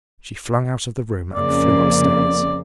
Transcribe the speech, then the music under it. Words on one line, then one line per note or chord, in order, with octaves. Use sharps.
She flung out of the room and flew upstairs.
F2 C#3 A#3 D5